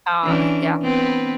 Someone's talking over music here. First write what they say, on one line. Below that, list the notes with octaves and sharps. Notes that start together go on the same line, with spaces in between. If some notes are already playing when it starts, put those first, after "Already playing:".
Ah. Yeah.
E3 C#4 D4
B3 C4 B4